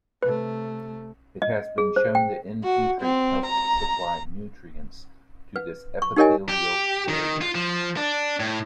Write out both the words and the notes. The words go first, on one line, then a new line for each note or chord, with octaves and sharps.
It has been shown that N-butyrate helps supply nutrients to this epithelial barrier.
C3 A3 B4
D#5
G#4
C5
G5
F#4
C4
A#5
B4
C#6
D#4 G4 A#4 C#5 D#5 G#5
G4
D#3
F4
F3
D4
A2